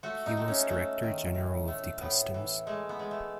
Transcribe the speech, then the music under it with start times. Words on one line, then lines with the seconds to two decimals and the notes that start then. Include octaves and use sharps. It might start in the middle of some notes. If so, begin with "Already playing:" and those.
He was Director general of the customs.
0.03 A3 F#4
0.26 D#4
0.37 A3
0.48 C#4
0.69 A3
1.03 D#3
1.35 A2
1.68 A3
2.01 A2 B3
2.34 E3
2.67 G#3 A3
2.89 B3
2.99 G#3
3.11 A3